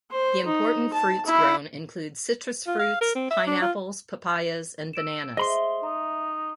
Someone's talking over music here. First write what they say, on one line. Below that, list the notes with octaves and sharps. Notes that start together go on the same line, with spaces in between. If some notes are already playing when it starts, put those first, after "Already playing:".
The important fruits grown include citrus fruits, pineapples, papayas, and bananas.
C5
D#4
A5
E4
F4
F5
A#4
C4
E5
D4
F4
E6 D7 E7
G#3 A3 G#4 C5 D#5 B5 C6 G7
D#4 A#5